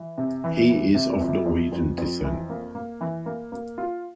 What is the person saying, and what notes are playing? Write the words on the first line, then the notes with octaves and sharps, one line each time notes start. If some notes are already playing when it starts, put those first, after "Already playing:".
He is of Norwegian descent.
Already playing: E3
C3
E3
E3
C3
F2
F2
F2
F2
E3
A#3
A#3
E3
A#3
A#3
F4